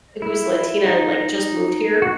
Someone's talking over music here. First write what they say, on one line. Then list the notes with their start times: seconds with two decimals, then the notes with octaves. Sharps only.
who's Latina, like, just moved here
0.22 E4
0.85 D#4
2.02 F#4